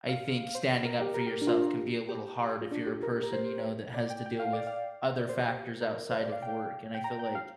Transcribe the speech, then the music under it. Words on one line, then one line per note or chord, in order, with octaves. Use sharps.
I think standing up for yourself can be a little hard if you're a person, you know, that has to deal with other factors outside of work, and I feel like
F5
C5
A#4
G4
A#4
G4
D4
F4
G4
F4
D4
G4
A#4
G4
A#4
C5
D5
G5
G5
F5
D5
F5
D5
C5
G4
A#4
A#4
C5
D5
F5
G5
G5
A#5
G5
F5